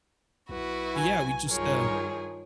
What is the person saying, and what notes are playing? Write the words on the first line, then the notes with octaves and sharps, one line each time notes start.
Yeah, we just, uh
B1 E4 F#4 B4
G#5
G2 D#3 F3 G#4 A#4 C#5